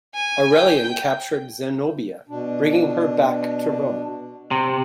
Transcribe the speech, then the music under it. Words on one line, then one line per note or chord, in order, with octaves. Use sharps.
Aurelian captured Zenobia, bringing her back to Rome.
G#5
G5
B2 D4
C3